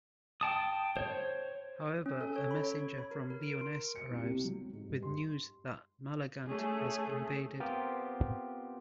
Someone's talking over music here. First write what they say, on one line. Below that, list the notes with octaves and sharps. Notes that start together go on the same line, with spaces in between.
However, a messenger from Lyonesse arrives, with news that Malagant has invaded.
G5 A5 D#6
C5 C#5
C#4
A4
C#5
B5
C#5
G#6
B5
A#4
A#4
D7
C6
C#7
C2
C3
F#3
G#2
G2
C6
A3 C#4 G#4
B3 C4 F4 G4 A#4 C5